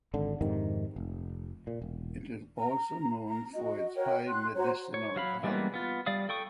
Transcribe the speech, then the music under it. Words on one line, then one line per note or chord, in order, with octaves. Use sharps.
It is also known for its high medicinal value.
G#1 D3
F2 G#2 C3 D#3
F1
A#2
E1
A#5
A#5
F#4 D#5
F#4 A#4 C#5 G5
C6 F#6
F#4 C5 C#5 A#5
C#5
F#3 F5 B5
E3 G3 G#3 A#3 B3
B3 F4
G3 D5 F5 D#6
A4 G5 C#6 D#6